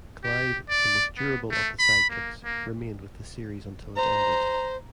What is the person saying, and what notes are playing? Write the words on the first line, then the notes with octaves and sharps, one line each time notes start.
Clyde, the most durable of the sidekicks, remained with the series until it ended.
G4
D5
B3
A3
B5
A#3
A#3
C5 A#5